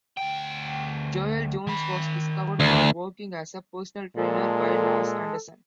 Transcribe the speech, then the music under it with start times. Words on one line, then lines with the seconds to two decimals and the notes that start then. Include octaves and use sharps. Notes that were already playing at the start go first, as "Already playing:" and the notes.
Joel Jones was discovered while working as a personal trainer by Lars Anderson.
0.17 D2 G5
1.67 D#3 B5
2.60 D2
4.17 A#2 G#3 A4